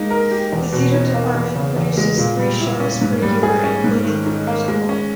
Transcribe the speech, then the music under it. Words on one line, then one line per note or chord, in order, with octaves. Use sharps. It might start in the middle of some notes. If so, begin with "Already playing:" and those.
The Theater Department produces three shows per year, including one musical.
Already playing: G#3 A#3 D#4
A#4
G4
E2
B2
D#4
A#3
E2
C#3
E2
G#3
A#2
G3
E4
C#4
G#2
G3
G#4
C#4
G#2
D#3
D#4
A#3
G#3
C#4